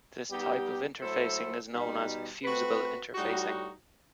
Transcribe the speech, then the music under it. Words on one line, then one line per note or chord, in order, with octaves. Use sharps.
This type of interfacing is known as "fusible" interfacing.
G3 B3 D#4 G4
F#3 A3 E4 A4 C5
B2 G3 D#4
A3 C4 F#4 B4
A2 G3 D#4 F#4